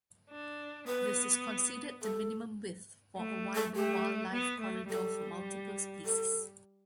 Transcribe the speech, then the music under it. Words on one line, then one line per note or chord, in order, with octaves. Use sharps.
This is considered the minimum width for a viable wildlife corridor for multiple species.
D4
B3 B4
A4
A3
A4
A3 G4
B3
A3
G3 A4
A4